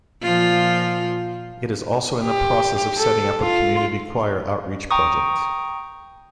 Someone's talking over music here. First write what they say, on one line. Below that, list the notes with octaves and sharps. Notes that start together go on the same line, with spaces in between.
It is also in the process of setting up a community choir outreach project.
A#2 F3 F4
G4
A4
F4
G5 A#5 C#6 D#6